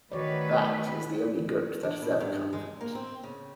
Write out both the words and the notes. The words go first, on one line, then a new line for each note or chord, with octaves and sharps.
That is the only good that has ever come of it.
D#3 A3 F#4 B4 C#5 D5
D4
B2
G2
G#3
A#3
C4
C#3